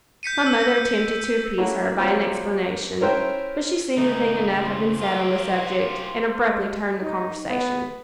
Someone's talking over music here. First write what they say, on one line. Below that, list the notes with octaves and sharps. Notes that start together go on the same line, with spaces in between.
My mother attempted to appease her by an explanation; but she seemed to think enough had been said on the subject, and abruptly turned the conversation.
G6 B6 C#7 D#7
E6
A3 A#3 C#4 E4 F#4 A#4
F#3 G3 A#3 C4 F4
C#4 E4 A#4 C5 E5 G5
C#2 E3 A3 D#4
C5
F4 G4 A#4 F5
G#3
D#4
B3